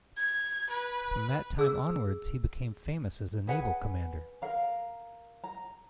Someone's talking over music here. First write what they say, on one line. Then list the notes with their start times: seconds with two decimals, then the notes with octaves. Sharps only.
From that time onwards, he became famous as a naval commander.
0.16 G#6
0.70 B4
1.58 G#4 E6
3.47 G#4 B4 F#5 G#5
4.42 A#4 F5 A#5
5.44 A#5